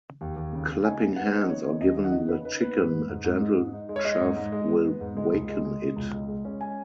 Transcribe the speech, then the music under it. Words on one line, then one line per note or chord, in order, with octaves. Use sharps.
Clapping hands or giving the chicken a gentle shove will waken it.
D#2
D#2
C#3
C#3
D#4 G#5
C#3
B3 F#5
D#4
B3 C#5
D#4
D#2 D#5
D#4
F#5
C#3 D#5
C#3 B4
D#4 B4
B3 B4
G#2
G#2
G#2
G#2
G#3
G#2
D#4
G#3
C#5
G#3 D#5
G#2
G#2
G#3
B3
B3
G#2
G#3
C#2
G#3
G#3
B2
C#2
G#3
G#3
C#4
G#3 G#5